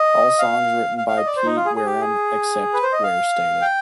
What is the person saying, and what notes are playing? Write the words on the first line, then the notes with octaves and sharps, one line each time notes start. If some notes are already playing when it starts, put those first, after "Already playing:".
All songs written by Pete Wareham except where stated.
Already playing: D#5
F5
F5
F5
D#5
D5
C5
D#4
F4
G#4
G#4
G4
G#4
B4
C5
D#5
F5
G5